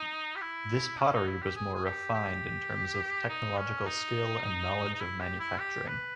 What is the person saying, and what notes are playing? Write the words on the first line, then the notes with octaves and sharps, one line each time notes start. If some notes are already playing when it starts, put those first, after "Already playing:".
This pottery was more refined in terms of technological skill and knowledge of manufacturing.
Already playing: D#4
G4
E4
C#4
D#4
E4
G4
G#4
G#4
G4
G4
D#4
C#4
D#4
D#4
E4
G4
E4
G4
B4